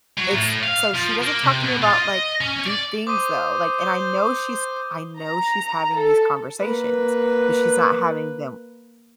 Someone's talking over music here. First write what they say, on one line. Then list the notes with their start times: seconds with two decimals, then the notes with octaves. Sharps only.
it's so, she doesn't talk to me about like deep things though, like, and I know she's I know she's having these conversations, but she's not having them
0.18 F#3
0.34 A2
0.64 F5
0.94 F3
1.22 A#3
1.43 C3
1.63 B2
1.82 F4
1.98 D#5
2.41 C#4
2.66 D5
3.07 C5 D6 D#6 D#7
3.80 G6 G7
5.20 A#5
5.94 A4
6.59 A#3 B4